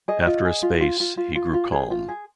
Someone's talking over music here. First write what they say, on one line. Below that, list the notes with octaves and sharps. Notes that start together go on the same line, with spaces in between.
After a space he grew calm.
G#4 D#5
F4
G#4
F4
F4
F4
F4
F4
F4
G#4
F4
G#4